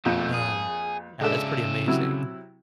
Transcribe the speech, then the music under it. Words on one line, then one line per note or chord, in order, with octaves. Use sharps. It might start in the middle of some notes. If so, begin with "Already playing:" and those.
Um, yeah, that's pretty amazing.
A#1 F2 B2 A3
G#4
C#3 G#3 D4 A4 E5
C3 F#3 E4